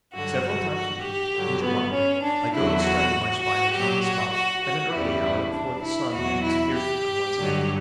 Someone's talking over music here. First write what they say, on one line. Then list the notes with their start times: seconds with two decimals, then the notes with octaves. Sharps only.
Several times a week, in July, I go to study my Spiders on the spot, at an early hour, before the sun beats fiercely on one's neck.
0.14 G2 D3 F#3 F#4
0.43 F#4
0.75 F#4
1.04 G4
1.34 G2 D3 F#3
1.64 B3
1.94 C#4
2.24 D4
2.55 E2 D3 F#3 E4
2.84 F#4
3.44 F#4
3.75 A#2 F#3 G4
4.04 F#4
4.34 F#4
4.65 F#4
4.95 E2 C#3 G3 E4
5.54 D4
5.84 E4
6.15 E2 B2 F#3 F#4
6.45 E4
6.75 G4
7.35 G2 D3 F#3